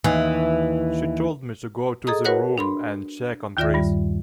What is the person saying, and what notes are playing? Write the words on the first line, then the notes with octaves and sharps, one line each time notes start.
She told me to go to the room and check on Chris.
D#2 E3
G#4 A4 D#5 A#5 D#6
F#4 A#4 B4 C#5 F#5 F#6
D4 B5 C6
D#2 D#3 F4 D5 E5 A#6
G2 G3